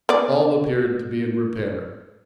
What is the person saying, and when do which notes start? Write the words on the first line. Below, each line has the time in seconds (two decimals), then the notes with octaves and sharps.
All appeared to be in repair.
0.09 B3 D5